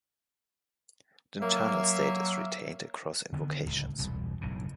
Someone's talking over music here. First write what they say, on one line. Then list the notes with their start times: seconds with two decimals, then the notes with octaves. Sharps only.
The internal state is retained across invocations.
1.40 F#3 A#3 E5
3.33 D3 D#3 G3 B3
3.66 D1 C#2
3.99 E1 C2 A#2
4.41 F#1 B1 A2 C#3